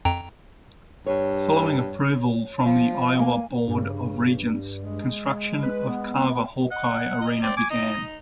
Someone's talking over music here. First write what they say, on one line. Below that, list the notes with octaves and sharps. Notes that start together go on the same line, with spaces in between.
Following approval from the Iowa Board of Regents, construction of Carver-Hawkeye Arena began.
F2 G5 A#5
G2 C#5
F3
A#3 G#5
G2 C#3
G#3
B4
B3
D#5 F#5
D#5
C4 D5
G#5 D6
D#4 D#5